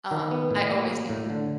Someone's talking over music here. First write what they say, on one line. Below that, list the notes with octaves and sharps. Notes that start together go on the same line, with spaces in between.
um, I always knew,
D#3
B3
A2
A#3
F#3
A2
D3